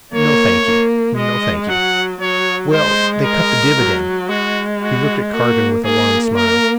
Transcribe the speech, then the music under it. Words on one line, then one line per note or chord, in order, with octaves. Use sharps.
'No, thank you; no, thank you--Well--they cut the dividend.' He looked at Cargan with a wan smile.
A#3 C#5
A#3
G#3 D#5
F#3 F#5
F#3 C#5
G#3 C5
A#4
F#3
G#3 F#4
F#4
A#3 F#4
A#3 G#4
A#4